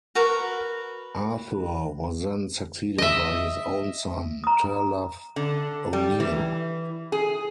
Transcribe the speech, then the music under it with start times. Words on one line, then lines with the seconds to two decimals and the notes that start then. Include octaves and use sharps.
Arthur was then succeeded by his own son, Turlough O'Neill.
0.15 F#4 A#4 B4
2.98 D#5 E5
4.44 A#5 D#6
5.36 D3
5.93 G3
6.20 E3
7.12 G#4